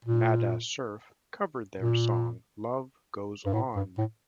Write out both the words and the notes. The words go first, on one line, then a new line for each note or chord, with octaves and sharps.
Nada Surf covered their song Love Goes On!
A#2
A#2
G2
A2
G2
A2